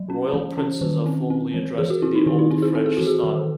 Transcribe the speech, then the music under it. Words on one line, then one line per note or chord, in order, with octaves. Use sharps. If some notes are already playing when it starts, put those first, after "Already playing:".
Royal princes are formally addressed in the old French style.
Already playing: F#3
C#4
E3
C#4
D#3
C4
C4
E3
E3 G#4
F#4
C4 E4
D#4
D#3 E4
D#4
C4 E4
G#4
C4 A4
G#4
E3 F#4
G#4
D#3